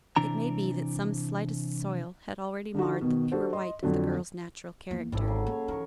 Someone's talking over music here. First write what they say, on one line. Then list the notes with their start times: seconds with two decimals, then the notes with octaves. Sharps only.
It may be that some slightest soil had already marred the pure white of the girl's natural character.
0.16 C3 E3 D4 A#5
2.74 D3 D#4 F#4
3.01 B2 D#3
3.32 D4 F#4 G4 A4 C5
3.53 D#5 C6
3.83 F2 D3 F#3
4.91 E2 A#3
5.12 G#1 D3 G3 C#4 A4
5.28 C#3 F#3
5.46 A#3 C#5 A5
5.68 E3 D#4 A#4 C#6